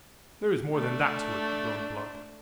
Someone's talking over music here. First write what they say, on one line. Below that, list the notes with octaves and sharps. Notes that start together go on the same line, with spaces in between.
"There is more than that to it," groaned Blood.
A3 D4